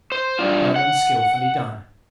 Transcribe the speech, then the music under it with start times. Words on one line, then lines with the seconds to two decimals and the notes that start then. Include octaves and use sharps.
Well and skillfully done.
0.12 C5
0.39 G3 D4 F4
0.76 F#5